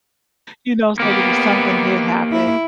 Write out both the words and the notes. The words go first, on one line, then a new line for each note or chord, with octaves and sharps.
you know, so that if something did happen
A#3 B3 G4
E4